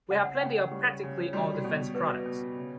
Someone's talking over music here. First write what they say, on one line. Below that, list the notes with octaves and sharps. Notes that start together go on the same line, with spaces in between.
We have plenty of practically all defense products.
C#3 F#5
F#5
C#3 G5
F#5
G3 G4
C#3
G3 F#4
F#4
B2 G4
F#4 B4
B2
C#3